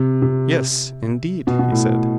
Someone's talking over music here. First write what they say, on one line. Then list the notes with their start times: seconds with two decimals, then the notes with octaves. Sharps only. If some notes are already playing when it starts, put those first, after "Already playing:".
Yes, indeed, he said.
Already playing: C3
0.22 C3
1.47 B2
1.59 B2
1.72 A2